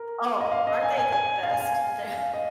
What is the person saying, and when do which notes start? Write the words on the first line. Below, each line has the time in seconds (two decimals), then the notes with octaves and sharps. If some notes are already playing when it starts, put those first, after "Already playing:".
Oh, aren't they the best? They're
Already playing: A#4
0.41 D#5
0.52 F5
0.67 D#5
0.83 G#5
0.98 G#5
1.12 G#5
1.43 F5
1.51 G#5
1.60 F5
1.73 G#5
2.03 F5
2.18 F5
2.34 D#5